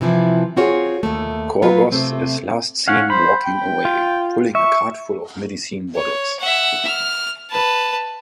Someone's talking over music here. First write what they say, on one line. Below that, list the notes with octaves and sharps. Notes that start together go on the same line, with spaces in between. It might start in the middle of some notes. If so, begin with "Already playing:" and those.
Korgoth is last seen walking away, pulling a cart full of medicine bottles.
C3 E3 F3 E4
C4 F4 F#4 G#4 C#5
D#2 A3
F#3 F4 B4
C3 A3 C4
C#4 F5 F#5
C5 B5
G5
F4
E5 C#6
C#5
E5 F#5
F6
B4 A5